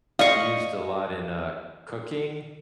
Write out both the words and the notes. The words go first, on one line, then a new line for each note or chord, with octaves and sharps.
used a lot in, uh, cooking,
D5 D#5 F5 C#6